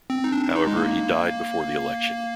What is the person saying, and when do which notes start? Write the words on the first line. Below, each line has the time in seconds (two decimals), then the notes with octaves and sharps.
However, he died before the election.
0.10 C4
0.24 D#4
0.32 D4
0.55 D#4
0.67 G#3
0.77 A#3